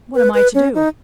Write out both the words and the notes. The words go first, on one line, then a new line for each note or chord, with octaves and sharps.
"What am I to do?"
B4
B4
C#4
D#4